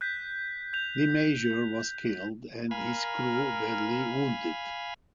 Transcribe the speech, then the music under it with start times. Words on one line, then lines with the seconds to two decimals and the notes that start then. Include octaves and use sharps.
The major was killed and his crew badly wounded.
0.01 F#6 G6 B6
0.73 G6 F7
2.71 A#4 F5 G#5 B5